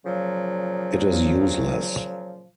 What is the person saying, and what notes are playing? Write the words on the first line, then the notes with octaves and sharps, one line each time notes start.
It is useless.
A#2 C#3 F3 F#3